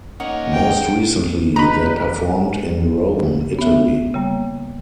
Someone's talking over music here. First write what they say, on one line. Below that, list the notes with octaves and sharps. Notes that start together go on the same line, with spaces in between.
Most recently, they performed in Rome, Italy.
A#3 C#4 D#4 F#5
G5
D#4 B4 A#5 B5
C#3
B3 E5
C#3 G3 A#3